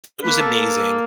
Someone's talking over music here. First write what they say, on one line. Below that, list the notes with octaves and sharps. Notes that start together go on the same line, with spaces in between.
it was amazing.
A#3 B4
A4